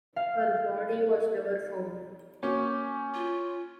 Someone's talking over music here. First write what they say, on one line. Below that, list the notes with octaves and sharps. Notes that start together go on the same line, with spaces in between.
Her body was never found.
F5
A#3 C#4 F#4 D6 G6
F4